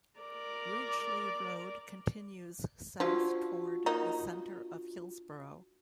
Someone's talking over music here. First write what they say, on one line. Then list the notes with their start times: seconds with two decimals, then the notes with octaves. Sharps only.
Ridgely Road continues south toward the center of Hillsboro.
0.20 A#4 D5
3.00 F3 D4 F4 F#4
3.86 A#3 D#4